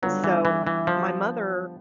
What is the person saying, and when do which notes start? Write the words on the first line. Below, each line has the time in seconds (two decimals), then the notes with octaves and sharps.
So, my mother
0.02 D3 F#3 G3 B3 D4 F4
0.24 E3
0.45 E3
0.67 E3
0.87 F3